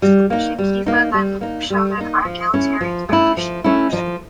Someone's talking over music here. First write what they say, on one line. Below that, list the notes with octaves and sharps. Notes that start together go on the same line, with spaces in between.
Shi Kefa then shouted I'm Military Inspector Shi.
G3
A#3 D#4
G3
A#3 D#4
G3
A#3 D#4
G3
A#3 D#4
F3
A3 C#4 E4
F3
A3 C#4 E4
F3
A3 C#4 E4
F3